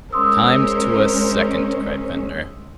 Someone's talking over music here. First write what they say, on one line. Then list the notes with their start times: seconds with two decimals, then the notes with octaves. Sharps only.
"Timed to a second!" cried Ventnor.
0.13 G#3 C#4 A#4 C5 C6 D#6 E6